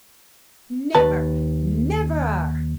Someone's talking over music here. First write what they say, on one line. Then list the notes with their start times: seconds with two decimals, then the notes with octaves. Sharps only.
Never, NEVER!'
0.95 D#2 B4 A5